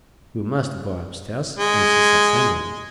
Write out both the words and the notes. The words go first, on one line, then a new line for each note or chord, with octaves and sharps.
We must go upstairs and see Sir Simon.
G#3